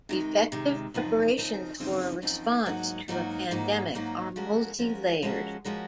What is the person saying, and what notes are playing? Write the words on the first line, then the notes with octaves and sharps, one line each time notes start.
Effective preparations for a response to a pandemic are multi-layered.
C3 D#3 G#3
C3 D#3 G#3
F#2 C#3 F3 C4 D#4
F#2 C#3 F3 C4 D#4
F#2 C#3 F3 C4 D#4
F#2 C#3 F3 C4 D#4
G#2 F#3 A#3 D#4 F#4
G#2 F#3 A#3 D#4 F#4
G#2 F#3 A#3 D#4 F#4
G#2 F#3 A#3 D#4 F#4
F3 G#3 C#4 F#4 A#4
F3 G#3 C#4 F#4 A#4
F3 G#3 C#4 F#4 A#4
F3 G#3 C#4 F#4 A#4